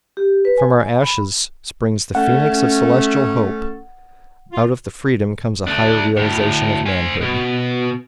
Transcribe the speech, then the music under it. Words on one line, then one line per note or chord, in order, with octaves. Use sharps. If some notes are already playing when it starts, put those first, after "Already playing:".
From our ashes springs the phoenix of celestial hope, out of the freedom comes a higher realisation of manhood.
G4
B4
G#5
B5
A3 C#4 A4 F#5
F4
A3 D4
D2 A2
C5 G#5
B2